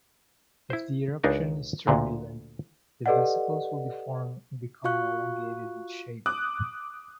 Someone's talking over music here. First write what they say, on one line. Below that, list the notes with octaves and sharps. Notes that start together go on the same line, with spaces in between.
If the eruption is turbulent the vesicles will deform and become elongated in shape.
E4 C5
C#2 D4 D#4 A#4 G#5
D2 A#2 D3
G4 A4 B4 D5 D#5 F#5
F4 F#4 F5 C#6 F#6
D6 D#6 F#6